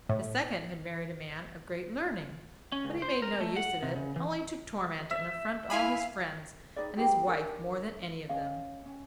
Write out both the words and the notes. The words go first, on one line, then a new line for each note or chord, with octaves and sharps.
The second had married a man of great learning; but he made no use of it, only to torment and affront all his friends, and his wife more than any of them.
A2
C#4
C#2
C5
A#4
A3
F#5
C3
C#3
E3
E5
E4 F5 G#5 B5
D#4 G#4 B4 D5
D#4 G4 G#4 B4
D4 A#4 G#5
C#4 G#4 D#5 F5
C#4